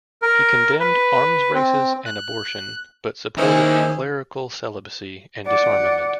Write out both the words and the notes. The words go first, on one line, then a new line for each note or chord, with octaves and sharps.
He condemned arms races and abortion, but supported clerical celibacy and disarmament.
A#4
B4
C4
F#6
D#2 D#3 C#4 D#4 E4 G#4 C5
D5 F#5